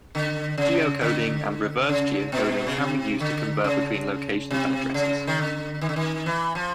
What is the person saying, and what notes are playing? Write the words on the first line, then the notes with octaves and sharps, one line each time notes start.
Geocoding and reverse geocoding can be used to convert between locations and addresses.
D3
C#3
D3
C#3
B2
C#3
C3
D3
C#3
C3
C#3
D#3
D3
D#3
D3
D#3
E3
F3